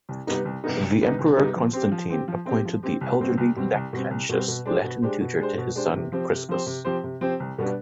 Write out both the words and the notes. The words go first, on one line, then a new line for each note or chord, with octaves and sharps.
The Emperor Constantine appointed the elderly Lactantius Latin tutor to his son Crispus.
C2
C3 G3 B3 D#4
C2
C3 G3 B3 D#4
C2
C3 G3 B3 D#4
C2
C3 G3 B3 D#4
F3
C4 G4
F3
C4 G4
F3
C4 G4
F3
C4 G4
C2
B2 G3 C4
C2
B2 G3 C4
C2
B2 G3 C4
C2
B2 G3 C4
B2
G#3 D4 G4 C5
B2
G#3 D4 G4 C5
B2
G#3 D4 G4 C5
B2
G#3 D4 G4 C5
C3
F3 C4 G4 C5
C3
F3 C4 G4 C5
C3
F3 C4 G4 C5
C3
F3 C4 G4 C5
C2
B2 G3 B3 D4